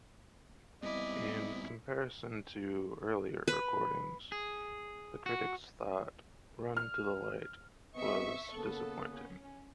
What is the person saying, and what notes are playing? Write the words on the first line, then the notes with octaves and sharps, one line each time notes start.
In comparison to earlier recordings, the critics thought "Run to the Light" was "disappointing".
G#2 G3 B3 C4 E4 D5 D#5
B4
G#4
F#4
F6
B3 C4 D#5 E5 C#6
C#3 A#3 B3 A4
C#4